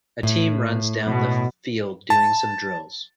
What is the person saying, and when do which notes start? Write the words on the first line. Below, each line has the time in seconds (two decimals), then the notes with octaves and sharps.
A team runs down the field doing some drills.
0.23 A2
1.06 B2
2.10 A5